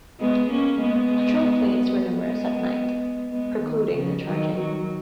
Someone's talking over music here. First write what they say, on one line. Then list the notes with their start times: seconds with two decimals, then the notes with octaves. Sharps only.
Patrol planes were numerous at night, precluding recharging.
0.20 G#3 B3
0.50 A#3 C#4
0.82 G#3 B3
2.06 G#3 B3
3.31 G#3 B3
3.61 D#3
3.93 C#3 F3
4.24 D#3 F#3
4.55 D#3 F#3